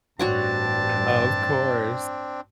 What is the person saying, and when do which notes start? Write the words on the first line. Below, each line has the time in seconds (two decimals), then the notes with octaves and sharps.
of course.
0.19 A1 G2 C4 D4 F#4 C#5 F#5 A5